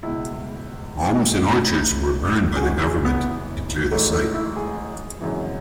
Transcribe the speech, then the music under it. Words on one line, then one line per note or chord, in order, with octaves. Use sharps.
Homes and orchards were burned by the government to clear the site.
C#2 B2 E4
A1 A2 E3
G#4
F#1 F#2 E3 F#4
G#4
B3
A1 G#2 E3 A3
A3
E4
G#4
G#1 F#2 C#3 E3